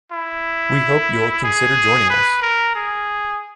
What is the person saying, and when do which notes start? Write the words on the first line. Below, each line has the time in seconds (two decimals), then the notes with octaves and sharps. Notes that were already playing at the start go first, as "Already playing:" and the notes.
We hope you’ll consider joining us!
0.12 E4
1.44 G#4
2.10 B4
2.42 A#4
2.75 G#4